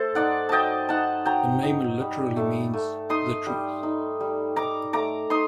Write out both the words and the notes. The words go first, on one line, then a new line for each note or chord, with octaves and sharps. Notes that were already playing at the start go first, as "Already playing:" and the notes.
The name literally means "the truth".
Already playing: A3 A4 C5
D#4 D5 F#5
F#3 D#5 G5 A5
D#4 F#5 A5
F#3 G5 A#5
D#4
G3
A3
A3
D#4 C6 D#6
G3
D#4
G3
D#4 A#5 D6
A3 A#5 D6
D#4 C6 D#6